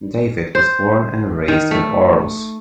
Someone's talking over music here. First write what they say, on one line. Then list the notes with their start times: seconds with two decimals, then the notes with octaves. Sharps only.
David was born and raised in Arles.
0.55 C5
1.48 D#3
1.71 A3